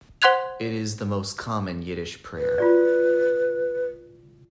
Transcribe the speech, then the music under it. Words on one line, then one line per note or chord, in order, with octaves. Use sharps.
It is the most common Yiddish prayer.
C5 F#5 C6 F#6 G#6 F7
B4
F4 F#4 D5